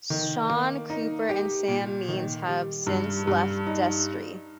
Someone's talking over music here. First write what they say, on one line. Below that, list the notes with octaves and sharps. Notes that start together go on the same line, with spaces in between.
Shaun Cooper and Sam Means have since left Destry.
D#3
A#3
D#4
G4
A#2
D#3
G3
G2
G2
D#4